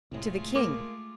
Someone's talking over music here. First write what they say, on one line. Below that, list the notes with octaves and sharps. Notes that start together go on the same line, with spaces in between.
"To the king."
C2 A2 G#3 A3 F4
A#3 D6